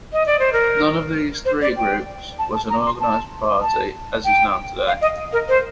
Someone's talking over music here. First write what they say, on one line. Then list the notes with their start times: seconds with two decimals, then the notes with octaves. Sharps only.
None of these three groups was an organized party as is known today.
0.13 D#5
0.27 D5
0.39 C5
0.53 A#4
1.45 C5
1.61 D5
1.77 G5
2.39 A5
2.54 A5
2.70 A#5
2.85 C6
3.00 A5
3.62 A5
4.25 G5
4.87 F5
5.01 D#5
5.33 A#4
5.49 C5